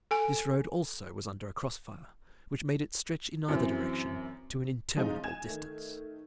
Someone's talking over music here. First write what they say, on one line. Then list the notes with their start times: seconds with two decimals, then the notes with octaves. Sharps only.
This road also was under a cross-fire, which made it stretch in either direction to an interminable distance.
0.11 A4 G#5
3.48 F#2 E3 C4
4.97 C#3 F3 G#3 C4 D#4
5.24 G#5 G#6 E7
5.48 D#3 A3